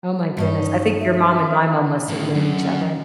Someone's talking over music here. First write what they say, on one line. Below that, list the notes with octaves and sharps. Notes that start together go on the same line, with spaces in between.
Oh my goodness, I think your mom and my mom must have known each other.
G2 C#4 D#4
E5
A2 C#3
F#2